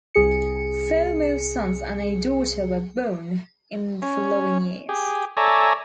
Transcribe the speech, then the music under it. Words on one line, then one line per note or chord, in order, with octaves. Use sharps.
Four more sons and a daughter were born in the following years.
C2 G#4 C#7
C#4
G4 G#4
A4 C#5 D5 E5 G#5 A#5